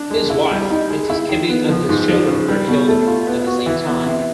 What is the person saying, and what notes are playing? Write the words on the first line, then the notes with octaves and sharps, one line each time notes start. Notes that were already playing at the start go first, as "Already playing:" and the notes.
His wife, Princess Kibi, and his children were killed at the same time.
Already playing: D4
G#3
E4
G3
D#4
G#3
E4
D#3
B3
F3
G#2
F3
C#3
G3
B2
A3
F4
B3
F#4
E3
B3
C3